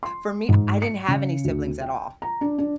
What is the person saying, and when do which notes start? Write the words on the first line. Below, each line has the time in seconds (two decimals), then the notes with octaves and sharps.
for me, I didn't have any siblings at all.
0.03 C6
0.49 G#2
0.82 C#7
1.08 C#3
1.44 D2
1.81 G5
2.22 A#5
2.41 D4
2.58 D4